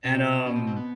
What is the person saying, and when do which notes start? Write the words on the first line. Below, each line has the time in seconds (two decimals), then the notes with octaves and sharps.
And, um,
0.04 B2 C4
0.46 C#4
0.55 C4
0.67 C4
0.76 B3